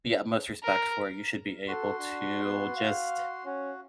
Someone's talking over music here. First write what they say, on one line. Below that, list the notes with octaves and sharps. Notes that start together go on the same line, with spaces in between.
the utmost respect for it. You should be able to just
A#4
F#4 A4 C6
D4
B3
F5
C#4 F#4